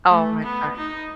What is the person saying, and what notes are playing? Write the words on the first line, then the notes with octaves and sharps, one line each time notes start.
Oh my gosh.
A3
B3
D#4